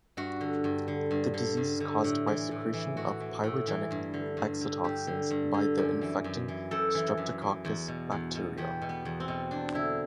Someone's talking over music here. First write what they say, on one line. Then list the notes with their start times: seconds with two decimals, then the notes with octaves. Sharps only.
The disease is caused by secretion of pyrogenic exotoxins by the infecting "Streptococcus" bacteria.
0.17 G2 F#4
0.41 D3
0.64 G2
0.88 D3
1.11 G2
1.34 D3
1.57 G2
1.80 D3
2.04 A2
2.27 E3
2.51 A2
2.73 E3
2.97 A2 F#4
3.20 E3
3.43 A2
3.67 E3
3.91 G2
4.14 D3
4.37 G2
4.61 D3
4.84 G2 G4
5.07 D3
5.30 G2
5.54 D3
5.78 F#2
6.01 E3
6.24 F#2
6.48 E3
6.71 F#2 A4
6.95 E3
7.18 F#2
7.42 E3
7.65 E2
7.88 B2
8.12 E2
8.35 B2
8.57 E2 G4
8.82 B2
8.89 B3
9.05 E2
9.20 C4
9.28 B2
9.51 E2 D4
9.74 D3 E4